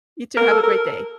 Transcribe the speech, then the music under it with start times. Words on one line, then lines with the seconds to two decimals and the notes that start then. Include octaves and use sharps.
You too, have a great day.
0.37 A#4
0.51 A4
0.64 A#4